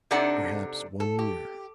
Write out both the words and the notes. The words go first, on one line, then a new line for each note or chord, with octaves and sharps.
'Perhaps one year.'
C3 D4 D#4 A4 D5 F#5
A4
G4